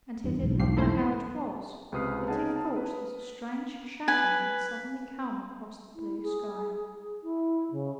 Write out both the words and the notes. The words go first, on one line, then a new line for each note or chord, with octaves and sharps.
And he did not know how it was, but he thought that a strange shadow had suddenly come across the blue sky.
E2 G2
B1 E2 G#2
D2 F3 C7
A3 E4 C5
C#2 C3 B4 D#6 F6 C7
C4 C#4 D#4 G#4 F#5 A5
A5
B4
B4 G#5
E4
G#4
E4
C#3